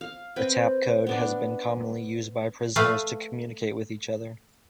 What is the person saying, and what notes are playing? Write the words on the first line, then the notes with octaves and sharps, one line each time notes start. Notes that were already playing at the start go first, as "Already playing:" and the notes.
The tap code has been commonly used by prisoners to communicate with each other.
F5
C4 B4 G5
B3 D4 D5
A3 B4 F5